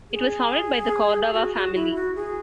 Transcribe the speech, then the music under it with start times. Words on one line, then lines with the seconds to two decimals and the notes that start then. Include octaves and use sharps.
It was founded by the Cordova family.
0.11 G#4
1.33 F#4
1.54 F#4
1.74 E4
1.95 F#4
2.15 G#4